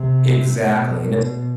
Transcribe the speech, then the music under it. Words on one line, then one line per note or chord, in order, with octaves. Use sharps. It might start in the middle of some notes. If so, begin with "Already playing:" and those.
Exactly, and it's
Already playing: C3
B2
B2